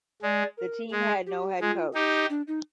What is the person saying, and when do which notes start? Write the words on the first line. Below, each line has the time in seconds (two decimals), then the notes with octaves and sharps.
The team had no head coach.
0.22 G#3 D5
0.57 A#4
0.91 G#3 G#4
1.26 G4
1.60 G#3 F4
1.95 D#4 G4
2.30 D4
2.47 D#4